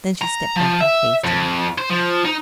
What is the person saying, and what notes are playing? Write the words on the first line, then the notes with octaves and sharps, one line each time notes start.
Then she stepped back and faced him.
A#5
F3
E5
F2
C5
F3
D#4